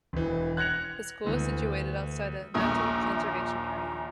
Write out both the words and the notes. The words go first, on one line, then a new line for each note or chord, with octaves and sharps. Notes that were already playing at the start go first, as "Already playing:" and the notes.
The school is situated outside a natural conservation area.
E1 E3
F#6 G#6 A#6 C#7 F7
D2 E3
A#1 D#2 A#2 E5 C#6 D#6